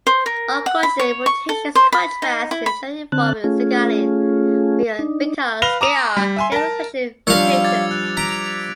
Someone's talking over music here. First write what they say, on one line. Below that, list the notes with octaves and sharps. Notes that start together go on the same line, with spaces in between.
Oncogene mutations, in contrast, generally involve a single allele because they are gain-of-function mutations.
C5
A#4
F#5
B5
C#5
C#6
A4
C5
B5
D#4
E4
B5
D3 C4 A5 F#6
A3 C#4 F4 G#4
D4 D#4
B4 F5 A#6 F7 G7
A#5 D6 D#6 E7 F7
G3
E5 G#5 C6
A#4 A5
F3 G3 D4 C#5 F5 E6 C#7 F7
D6 G#6 A6
F#6
A#5 B6 D7 F7